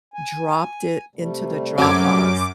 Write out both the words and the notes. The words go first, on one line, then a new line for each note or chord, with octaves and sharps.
dropped it into the drop box,
G#5
C3 G3 A3
F#2 F#3 C#4 D6 G#6